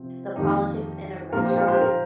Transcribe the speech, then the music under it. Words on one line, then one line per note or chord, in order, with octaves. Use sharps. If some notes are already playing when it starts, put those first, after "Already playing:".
the politics in a restaurant,
Already playing: C3 F3 C4
F2 D#3 G3 A#3 D#4 G4
A#2 F3 A#3 F4 A#4
G4 C5
F4 A#4
G4 C5
F4 A#4